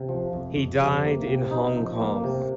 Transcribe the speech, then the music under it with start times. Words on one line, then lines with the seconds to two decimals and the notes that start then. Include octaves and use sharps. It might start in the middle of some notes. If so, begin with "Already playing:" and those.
He died in Hong Kong.
Already playing: C3
0.09 F3
0.33 F2
0.57 F2
0.80 C3
1.05 A#3
1.27 C3
1.51 D#4
1.76 F3
2.00 A#3
2.24 C3